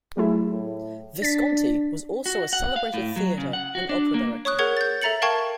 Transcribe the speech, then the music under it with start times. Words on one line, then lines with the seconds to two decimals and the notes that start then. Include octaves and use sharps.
Visconti was also a celebrated theatre and opera director.
0.17 F#3 A3 E4 G#4
0.51 A2
1.22 D4 A6 B6
2.26 F#4
2.53 F#5
2.76 F5
2.94 A2
3.16 F#3
3.38 C#3
3.53 F#5
3.75 F#4
3.89 D4
4.14 A#3
4.45 C#5 C#6 D#6 F#6
4.59 G#4 A#4 C#5 F#5 C#6 G#6
4.77 G6 A6
5.02 A4 E5 A#5 A6 C#7 F#7
5.22 A#4 F5 G5 A5 C#6 G#6